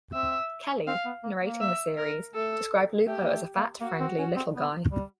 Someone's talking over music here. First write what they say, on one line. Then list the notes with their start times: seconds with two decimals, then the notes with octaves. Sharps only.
Kelly, narrating the series, described Lupo as a fat, friendly little guy.
0.14 C4 E5
0.87 C4 F5
1.05 B3
1.23 A#3
1.42 A#3
1.61 E5
1.97 A#4
2.34 A3 A4
3.07 A3 G4
3.21 A#3
3.33 A3
3.57 A#3
3.81 A#3 F#4
4.00 C4
4.19 C#4
4.36 C4
4.55 B3
4.92 G3